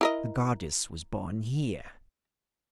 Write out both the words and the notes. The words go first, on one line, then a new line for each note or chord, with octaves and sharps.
The goddess was born here.
E4 A#4 D#5